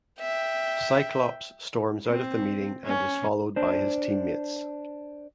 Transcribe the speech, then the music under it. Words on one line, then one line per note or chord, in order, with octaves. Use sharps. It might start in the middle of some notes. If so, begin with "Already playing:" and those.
Cyclops storms out of the meeting and is followed by his teammates.
E5 G5
C4
C#4
D4 C5